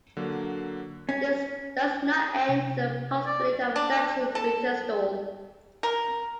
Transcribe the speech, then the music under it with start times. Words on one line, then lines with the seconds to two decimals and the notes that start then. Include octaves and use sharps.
This does not end the possibility of a damaging winter storm.
0.17 D3 F#3 A#3
1.09 C#4
2.49 C3
3.26 D5
3.76 D4
4.35 A4
5.83 A#4